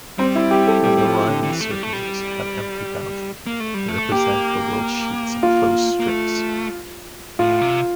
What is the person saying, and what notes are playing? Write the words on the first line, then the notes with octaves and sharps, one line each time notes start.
When the Riemann surfaces have empty boundary, they represent the worldsheets of closed strings.
G3 C4
E4
G4
A4
G3 G4
G3
F3
D3
D3
E3
A3
G3
A3
G3
A#3
A3
G3
A3
A#3 G4
F4
A#3
A3
A2 F4
C3